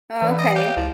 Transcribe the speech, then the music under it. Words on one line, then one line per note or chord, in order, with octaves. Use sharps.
Oh, okay.
A2 E3 C#4 B4 D5
D#5 A#5 D7
G4 C#5 F5 G5
C#2 F3 E4